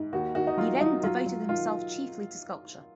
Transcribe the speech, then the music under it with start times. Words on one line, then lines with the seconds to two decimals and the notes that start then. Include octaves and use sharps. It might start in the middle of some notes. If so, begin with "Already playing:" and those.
He then devoted himself chiefly to sculpture.
Already playing: G#2
0.12 D#2 F#4
0.35 D#3 F#4
0.47 D#4
0.57 F#3 F4
0.81 F#3 D#4
1.03 F#3 F4
1.26 F#3
1.49 D#3 F4